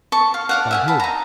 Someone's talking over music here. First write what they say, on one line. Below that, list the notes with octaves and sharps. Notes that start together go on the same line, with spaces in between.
"By whom?"
A5 C#6
F5
D5 F5 F#5
E5 F#5 G#5
A5 B5
D#4 A#5